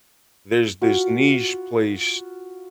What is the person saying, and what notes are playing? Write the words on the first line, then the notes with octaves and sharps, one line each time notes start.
there's this niche place
F4 F#4 B5